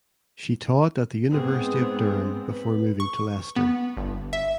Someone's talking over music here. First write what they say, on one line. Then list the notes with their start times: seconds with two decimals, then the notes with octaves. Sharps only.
She taught at the University of Durham before moving to Leicester.
1.31 G#2 B3 C4 G#4
2.51 B4
3.00 C#6
3.56 B3
3.97 G1
4.33 E5